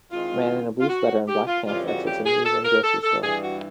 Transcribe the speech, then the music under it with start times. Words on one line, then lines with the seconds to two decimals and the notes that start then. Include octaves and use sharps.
A man in a blue sweater and black pants exits a news and grocery store.
0.11 D#3 G#3 C4 E4 F4
0.80 F4
0.89 F#4
1.28 G4
1.47 F4
1.67 F2 C#3 E3 G3 F4
1.86 F#4
2.07 G4
2.26 G#4
2.45 A4
2.64 A#4
2.83 A4
3.03 A4
3.22 G2 E3 G3 G#4
3.42 F#4